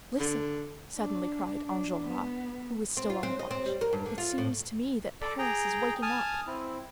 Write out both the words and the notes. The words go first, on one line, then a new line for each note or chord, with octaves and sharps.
"Listen," suddenly cried Enjolras, who was still on the watch, "it seems to me that Paris is waking up."
D3
D4
D4
B3
C4
F4
C4
D#5
C4
G3
A#4
G2
D3
F4
A2
A4 D5
G#4 G5 A#5
G#5 A5 D#6 F6
C4 E4